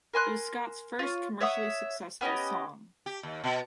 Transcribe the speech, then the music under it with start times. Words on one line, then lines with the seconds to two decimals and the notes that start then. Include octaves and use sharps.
It was Scott's first commercially successful song.
0.14 A#4 G#5 C6 F#6
0.99 F4 C#5
1.41 C#5 E5 F#5 D#6
2.21 B3 C#4 G4 D#5
3.06 G4
3.23 D#2
3.44 B2